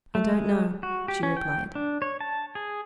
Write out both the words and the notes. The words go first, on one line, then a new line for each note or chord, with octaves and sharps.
"I don't know," she replied.
A3
G#3
F#4
G4
C#4
G5
D4
C#5
A5
G#4